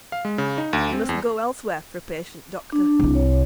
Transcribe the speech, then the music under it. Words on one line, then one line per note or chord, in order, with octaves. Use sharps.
You must go elsewhere for a patient, Doctor.'
F5
G#3
C#3
D#4
D2
C4
E2
D4
C2 C3
C#5